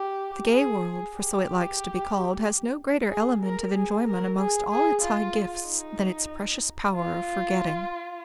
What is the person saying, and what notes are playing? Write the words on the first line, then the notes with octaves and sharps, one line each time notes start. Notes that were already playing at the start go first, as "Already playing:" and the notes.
The gay world, for so it likes to be called, has no greater element of enjoyment amongst all its high gifts than its precious power of forgetting.
Already playing: G4
G#4
G4
G#4
A#4
G#4
A#4
G#4
G#4
F4
D#4
F4